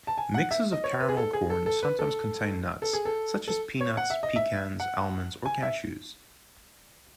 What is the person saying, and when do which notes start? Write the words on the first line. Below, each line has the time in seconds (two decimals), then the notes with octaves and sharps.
Mixes of caramel corn sometimes contain nuts, such as peanuts, pecans, almonds, or cashews.
0.07 A5
0.18 G#5
0.34 F#5
0.51 E5
0.72 D#5
0.84 C#5
1.00 B4
1.09 G#4
1.17 A4
1.33 G#4
1.50 A4
1.66 A4
1.83 B4
1.99 A4
2.82 A4
2.93 G#4
3.05 A4
3.48 A4
3.81 C#5
3.97 F#5
4.10 E5
4.23 D#5
4.36 E5
4.80 F#5
5.46 G#5
5.62 E5